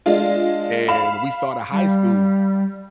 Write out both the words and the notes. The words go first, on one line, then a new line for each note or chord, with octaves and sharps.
and we saw the high school,
G#3 D4 F4
F5 B5 E7
G3